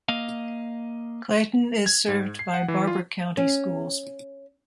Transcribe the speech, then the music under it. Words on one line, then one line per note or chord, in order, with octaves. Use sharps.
Clayton is served by Barbour County Schools.
A#3 D#5 F5
G#6
G#2
C7
F#5
E3
F4
C#4